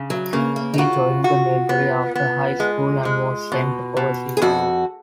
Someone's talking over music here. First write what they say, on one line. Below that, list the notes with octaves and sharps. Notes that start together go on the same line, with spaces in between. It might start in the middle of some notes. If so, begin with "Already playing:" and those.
He joined the military after high school and was sent overseas.
Already playing: C#3
F#3
C#3 A#3
A#3
D#4
F4 F#4
F#4
B3
B3
G#3
G#3
B2
B2
G#4
F2 F#4